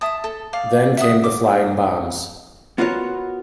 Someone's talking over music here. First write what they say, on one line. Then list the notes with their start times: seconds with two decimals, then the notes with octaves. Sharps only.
Then came the flying bombs.
0.01 E5 A5 D#6
0.24 A4
0.53 D5 F5
0.97 E5 F#5 D#6
1.24 D6
2.78 B3 F4 F#4 A#4 C#5